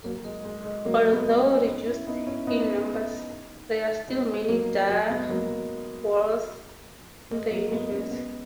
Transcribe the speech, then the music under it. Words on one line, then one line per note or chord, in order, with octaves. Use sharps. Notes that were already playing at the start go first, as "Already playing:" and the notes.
Although reduced in numbers, there are still many Dire Wraiths in the universe.
F#3 A#3
G#3
G#3
G#3
F#3 A#3
G#3 B3
A#3 C#4
B3 D#4
C#4 E4
B3 D#4
C#4 E4
B3 D#4
G#3 B3
F#3 A#3
F#3
G#3 B3
F#3 A#3
F#3
G#3
F#3 A#3
G#3 B3
A#3 C#4
G#3 B3